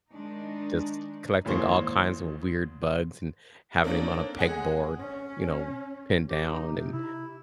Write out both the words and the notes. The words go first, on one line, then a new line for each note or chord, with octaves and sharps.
just collecting all kinds of weird bugs and having 'em on a pegboard, you know, pinned down and
D#3 G#3 D4 D#4
G#1 D#2 E3 A#3 C5 C#6
A#3 C4 D4 D#4 C#5
G#3 G#4 F#5
C#4
G4
D#4
C3
E4